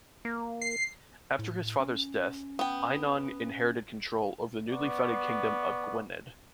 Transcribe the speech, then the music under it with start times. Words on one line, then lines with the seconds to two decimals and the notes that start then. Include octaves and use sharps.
After his father's death, Einion inherited control over the newly founded kingdom of Gwynedd.
0.25 A#3
0.61 C7
1.39 A2
1.80 C#4
2.59 B3 G5
4.68 B3 D5 C#6